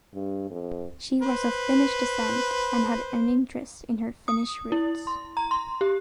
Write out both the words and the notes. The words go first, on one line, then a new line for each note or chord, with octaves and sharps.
She was of Finnish descent and had an interest in her Finnish roots.
G2
F2
B4 C5
D#6
E4
C6
A#5
C6
G4